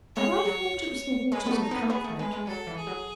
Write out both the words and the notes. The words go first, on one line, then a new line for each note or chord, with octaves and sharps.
And I thought it was the waters of comfort.
G#3 C#5
F#3
G#3 B4
B3
A3
D#4
B3
B3 G#4
A3
G#3 B4
G#3
F#3 A4
E3
G#4
F#3